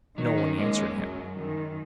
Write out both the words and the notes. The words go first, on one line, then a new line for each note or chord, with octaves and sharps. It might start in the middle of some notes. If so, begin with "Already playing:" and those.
No one answered him.
D#3 F#3
C#4
G#3 A#3
C#4
F#2 F#3
F#2
F#2 D#3
F#2